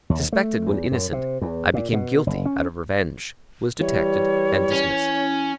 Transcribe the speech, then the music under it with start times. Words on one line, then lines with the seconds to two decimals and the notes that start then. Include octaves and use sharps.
Suspected when innocent, I became guilty out of revenge; was detected and dismissed.
0.10 D#2
0.32 A3
0.67 E2
0.92 F#2
1.12 C3
1.41 E2
1.74 A#2
1.93 B2
2.27 F#1
2.46 C#4
3.80 E3 G3 C#5
4.73 C#4